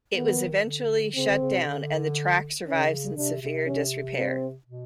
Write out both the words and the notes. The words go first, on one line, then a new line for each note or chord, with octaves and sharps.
It was eventually shut down and the track survives in severe disrepair.
D#3 B3
D3
C#3 C4
D3
C#3
C3
D3
C#3 C#4
C3 D4
C3
C#4
C4
B2